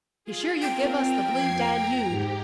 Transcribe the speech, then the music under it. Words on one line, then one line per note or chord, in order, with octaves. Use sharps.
Be sure you give us the Blue Danube.'
F4 G#4
C4 F4 A#4 G5
F2 G#6 C7
A#5
G#2 G4